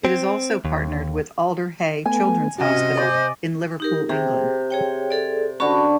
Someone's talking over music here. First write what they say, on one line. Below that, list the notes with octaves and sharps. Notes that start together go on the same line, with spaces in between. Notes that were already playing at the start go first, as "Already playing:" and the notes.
It is also partnered with Alder Hey Children's Hospital in Liverpool, England.
C4
D#2
A3 B3 G#5
C3 C#4 F#4 D#5
C5 D5
D#4 G4 A#4
C3 G#4
G#4 C#5 G5
G#4 A4 D5
D3 C#4 F#4 B5 C#6